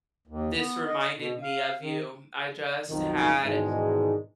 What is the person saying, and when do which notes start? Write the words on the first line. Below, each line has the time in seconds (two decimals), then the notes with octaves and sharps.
this reminded me of you." I just had
0.27 D#2
0.56 B3
0.85 D#5
1.16 B2
1.42 F5
1.81 D#3
2.89 B1 F2 B2 D#3
3.43 G#2 B2 D#3 E3 G#3 D4